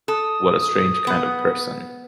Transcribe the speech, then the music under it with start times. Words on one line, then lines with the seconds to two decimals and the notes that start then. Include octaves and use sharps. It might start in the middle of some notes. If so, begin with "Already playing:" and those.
What a strange kind of person!
0.08 A4 D#6
1.07 B3